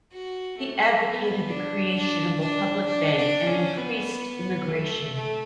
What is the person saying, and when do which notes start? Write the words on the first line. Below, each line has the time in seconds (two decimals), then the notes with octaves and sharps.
He advocated the creation of a public bank and increased immigration.
0.12 F#4
0.57 A3
1.03 B3
1.49 D4
1.94 D4
2.40 D4
2.86 D4
3.16 D4
3.46 C#4
3.77 B3
4.69 A3
5.14 A3